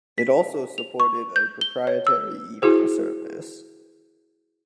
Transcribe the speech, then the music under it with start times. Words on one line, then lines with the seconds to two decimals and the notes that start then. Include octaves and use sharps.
It also supported a proprietary email service.
0.18 B6
0.78 F7
1.00 C#6
1.36 G6
1.61 G7
1.87 C#5
2.07 E6
2.62 E4 F#4 G#4 C5